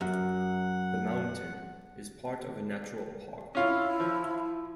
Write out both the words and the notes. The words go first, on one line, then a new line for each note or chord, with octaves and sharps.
The mountain is part of a natural park.
F#2 F#5
C#4 E4 F4
F3